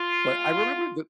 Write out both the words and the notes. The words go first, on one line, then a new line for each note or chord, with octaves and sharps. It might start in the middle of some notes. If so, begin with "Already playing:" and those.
But I remember the
Already playing: F4
E3 G#3 B3